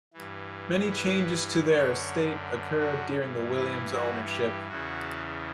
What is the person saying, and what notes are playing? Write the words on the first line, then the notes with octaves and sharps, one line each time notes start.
Many changes to their estate occurred during the William's ownership.
G2 E3
B4
F#2 D3 C#5
F#4
G2 E3
E4
F#4
G4
E2 C#3 E3 F#4